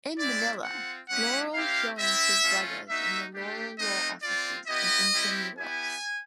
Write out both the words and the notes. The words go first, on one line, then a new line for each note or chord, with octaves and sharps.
In Manila, Laurel joined his brothers in the Laurel Law Offices in Intramuros.
G#3 C4 E4 D5
C4 F4 F#5
G#3 C#4 E4 G4 F#5
C4 E4 G4 F5
C4 E4 G4 E5
A3 C#4 F4
A#3 D#4 F#4 E5
A3 D4 G4
A3 C4 D#4 F#4 D#5
C4 F4 D5
B3 E4 G4 D#5
G3 C4 E4 G4
B3 E4 G4 G#5